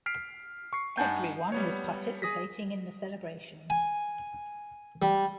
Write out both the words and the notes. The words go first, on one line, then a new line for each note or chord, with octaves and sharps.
Everyone was participating in the celebrations.
F6 B6 C7 D7
C#6 C7
G2 D#4 F#5 G#5 A5 G6
G3 B3 C#5
G#4 D#6 A#6 B6
G#5
G3